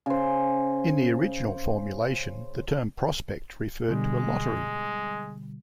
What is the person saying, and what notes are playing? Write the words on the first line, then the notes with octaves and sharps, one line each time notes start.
In the original formulation, the term "prospect" referred to a lottery.
C#3 C5
B2 D3 G3 G#3